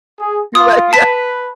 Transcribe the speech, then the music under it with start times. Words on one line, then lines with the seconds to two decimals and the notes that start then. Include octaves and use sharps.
you, like yeah.
0.20 G#4
0.55 F4 D#6
0.93 B4 A5 B6